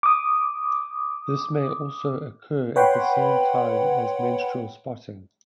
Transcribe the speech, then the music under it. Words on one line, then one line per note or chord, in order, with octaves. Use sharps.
This may also occur at the same time as menstrual spotting.
D6 D#6
B4 C#5 F#5 G5 B5 C6